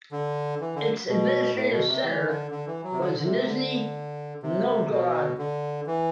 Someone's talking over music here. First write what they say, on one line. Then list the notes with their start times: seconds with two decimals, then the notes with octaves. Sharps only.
Its administrative centre was Nizhny Novgorod.
0.12 D3
0.60 E3
0.75 D3
1.09 B2
1.56 A2
1.71 B2
1.88 C3
2.04 E3
2.28 D3
2.51 D3
2.67 E3
2.84 F#3
2.92 C3
2.99 D3
3.19 D3
3.24 C3
3.48 D3
4.43 C3
4.90 B2
5.38 D3
5.87 E3